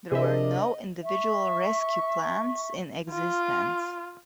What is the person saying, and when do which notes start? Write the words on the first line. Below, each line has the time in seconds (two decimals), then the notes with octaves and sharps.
There were no individual rescue plans in existence.
0.12 C3 D4 G#4 A#4 C5 D#5 E5
1.04 E5 C#6
3.10 F4